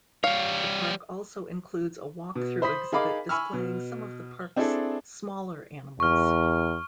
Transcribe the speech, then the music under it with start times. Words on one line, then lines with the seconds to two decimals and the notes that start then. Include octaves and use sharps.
The park also includes a walkthrough exhibit displaying some of the park's smaller animals.
0.24 G3 C#5 F5
2.36 B2
2.62 C5 B5 D#6 B6
2.92 D#4 G#4 A#4 F5 B5 D6
3.29 G#5 B5 C#6 E6 F6
3.53 B2
4.56 C4 D4 E4 G#4 A4
6.00 E2 C#6 F6